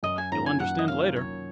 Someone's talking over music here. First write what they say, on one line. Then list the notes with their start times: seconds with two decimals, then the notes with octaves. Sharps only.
You'll understand later....
0.03 F#2 D#5
0.18 G#5
0.32 D#3 A#3 C#4 F4 A#5
0.46 G#5
0.60 F#2 F#5
0.79 D#5
0.88 D#3 A#3 C#4 F4 F5
1.16 F#2 C#5